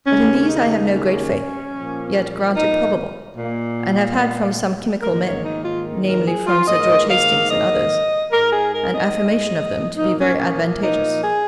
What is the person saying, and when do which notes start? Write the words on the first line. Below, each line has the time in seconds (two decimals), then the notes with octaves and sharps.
But in these I have no great faith; yet grant it probable; and have had from some chymical men, namely, from Sir George Hastings and others, an affirmation of them to be very advantageous.
0.05 D#2 C#3 A#3 C#4
0.46 D#4
0.89 C#4
1.71 A#2 F3 A#3
2.53 D#4
3.36 A#2 A#3
5.01 G#2 D#3 A#3 A#4
5.22 C#5
5.42 D#4
5.63 F4
6.04 A#4
6.25 G#4
6.45 F4
6.66 G#2 D#3 A#3 D#5
7.08 F5
7.49 D#5
8.31 G#2 G#3 A#4
8.52 G#4
8.73 A#4
8.93 D#5
9.96 A#2 F3 A#3 D#4
10.17 C#4
10.38 C#4
10.79 D#4
11.21 G#4